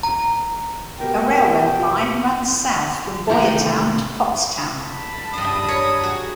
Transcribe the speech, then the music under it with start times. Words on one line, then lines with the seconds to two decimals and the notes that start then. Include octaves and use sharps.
A railroad line runs south from Boyertown to Pottstown.
0.03 A#5
1.00 B2 G4 A#4 G5
3.30 C3 D#3 A3 E4 G4 A#5
4.81 A5 B5
5.34 G2 D4 D#6
5.68 A#4 C#5
6.03 F#4 G#4